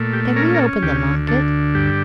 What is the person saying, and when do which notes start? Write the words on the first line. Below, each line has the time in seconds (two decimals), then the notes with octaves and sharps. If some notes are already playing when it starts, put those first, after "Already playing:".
Can we open the locket?
Already playing: A#2 A3
0.13 G4
0.36 C#4 A#4
0.54 A#4
0.59 A4
0.82 D2 G4
1.28 D3 A4
1.75 G2 G4